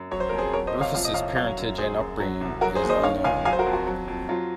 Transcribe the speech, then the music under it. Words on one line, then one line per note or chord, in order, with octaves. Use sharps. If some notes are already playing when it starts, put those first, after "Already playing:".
Rufus' parentage and upbringing is unknown.
Already playing: F#2
F#3 C#5
C5
F2 A#4
G#4 C5
F#3 A#4 C#5
C5 D#5
C3
C#5 F5
F3 F5
D#5
C2 C#5 F5
F#3 C#5 F5
F#2
F#3 G#4 C5
F#2
F#3
C2
F#3 F#4 A#4
G#4 C5
D#2
C5 D#5
D#3 C#5 F5
C#2 F5 G#5
F#3 F5 G#5
C5
F#4 A#4
F2
F#4
F#3
F2
F#3 F4